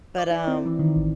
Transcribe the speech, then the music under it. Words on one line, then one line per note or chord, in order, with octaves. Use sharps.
but, um
D5
E4
C4
E3
D#3
A1